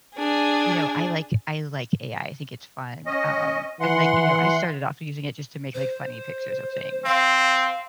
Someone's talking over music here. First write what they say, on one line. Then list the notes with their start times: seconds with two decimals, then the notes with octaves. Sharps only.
you know, I like I like AI, I think it's fun, um, and like, you know, I started off using it just to make, like, funny pictures of things.
0.16 D4 G#4
3.06 C#4 D#5
3.81 E3 F#5 C6
4.27 E3
5.74 C5
7.05 C4 F5